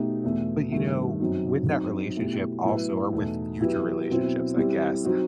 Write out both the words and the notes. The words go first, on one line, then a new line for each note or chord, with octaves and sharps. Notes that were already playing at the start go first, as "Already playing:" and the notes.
but you know, with that relationship also, or with future relationships I guess,
Already playing: B2 A3 D#4 G4
E2 B2 A3
G2 D#3 A3
F#2 F#3 C4 D#4
F#3 C4 D#4
B2 A3 E4 G4
A2 F#3 B3 E4
E2 B2 A3 D#4 A4
F#3 B3 E4 G4
B2 F#3 C4 E4
G3 C4 E4
F#3 C4 D#4 F#4